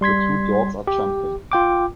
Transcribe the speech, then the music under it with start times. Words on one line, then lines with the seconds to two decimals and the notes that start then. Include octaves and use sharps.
The two dogs are jumping.
0.01 G3 C6 G#6 B6
0.87 G4
1.52 F4 G5 D6